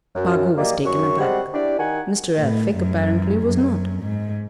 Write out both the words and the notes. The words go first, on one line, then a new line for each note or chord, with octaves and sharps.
Spargo was taken aback: Mr. Elphick apparently was not.
F#2
A#3 G4 D5 D#5
F#2 C#6
G3 G#3 C4 F#5
D4 E4 G4 D5
D#3 F#5 G#5
A2
F#2
F#2
G#2